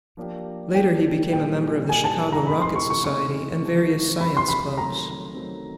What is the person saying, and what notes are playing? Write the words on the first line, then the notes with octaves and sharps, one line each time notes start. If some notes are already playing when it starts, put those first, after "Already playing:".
Later he became a member of the Chicago Rocket Society and various science clubs.
F3 A#3 D4 G4
F3 A#3 D4 G4 G5
A#2 G3 A#3 D#4 G#4 G5
A#2 G3 A#3 D#4 G#4 G#5
A5
A#5
C3 E3 A3 C4 D#4 B5
C6
C#6
C#6
C3 E3 A3 C4 D#4 C#6
C#2 C3 F3
C#2 C3 F3 B5
C6
B5
D#3 F#3 A3 C4 A#5
D#3 F#3 A3 C4